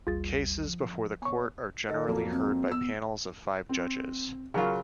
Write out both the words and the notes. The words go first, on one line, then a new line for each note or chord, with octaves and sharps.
Cases before the court are generally heard by panels of five judges.
A1 D#2 G3 F4 G#4 A6
F3
B3 C#5 G#5 C#6
D#3 A4 D#5
F2 F#3 A#3 A4
C4
B3 E6
C4
C#3 F#3 F4 A#4 C#6